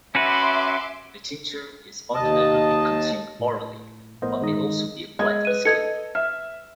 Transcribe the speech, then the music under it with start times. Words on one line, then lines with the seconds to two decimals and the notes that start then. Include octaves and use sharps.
The tincture is ordinarily consumed orally, but may also be applied to the skin.
0.15 C#4 F#4 B4 E5 C6 D6
2.14 D#2 D#5 A5
3.40 A2
4.22 A#1 A2 B3 A#4 C5 D#5
4.41 G1 D#3 G#3 D#4 D#5
5.19 G#3 D#5 G#6
5.45 B4 D#7
5.65 A4 D#5 G#6 C#7
6.15 E5 F6